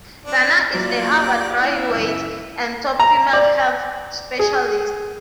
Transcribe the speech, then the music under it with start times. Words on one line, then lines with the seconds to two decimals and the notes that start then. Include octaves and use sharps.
Dana is a Harvard graduate and top female health specialist.
0.25 C4 D4
0.74 F#3 A#3 E4 F4 D5
1.03 D#2 G4
1.60 C#4 E4 F5
1.90 C#2 F#2 E5
3.00 A#5
3.33 D5
4.39 G#4